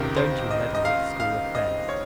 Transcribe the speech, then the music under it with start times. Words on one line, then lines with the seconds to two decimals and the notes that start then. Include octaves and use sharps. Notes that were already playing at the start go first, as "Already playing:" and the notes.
And don't you meddle with school affairs.
Already playing: C#2 C3 D#3 A#4
0.16 C5
0.51 D#5
0.75 D#5
0.85 F5
1.20 F5
1.55 D#5
1.89 C#5